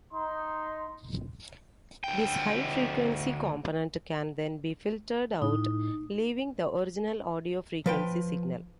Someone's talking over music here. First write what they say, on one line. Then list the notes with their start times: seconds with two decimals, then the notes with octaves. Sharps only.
This high-frequency component can then be filtered out, leaving the original audio frequency signal.
0.13 D#4 C6
2.04 D2 G5
5.42 A2 D#4
7.86 F3 B4 G5